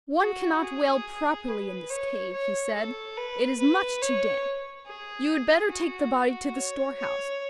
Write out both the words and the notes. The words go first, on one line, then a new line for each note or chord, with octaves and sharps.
'One cannot wail properly in this cave,' he said, 'it is much too damp. You had better take the body to the storehouse.
F#4
G#4
B4
C#5
C#5
A4
B4
B4
C#5
G#4
F#4
C#5
C#5